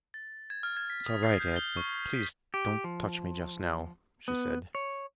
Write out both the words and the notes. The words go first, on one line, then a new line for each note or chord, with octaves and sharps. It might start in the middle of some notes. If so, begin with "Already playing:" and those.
"It's all right, Ed, but please don't touch me just now," she said.
A6
G#6
F6
G#6
B6
D#6
C7
G6
G7
C#6
B6
G4
F3
B3
C#5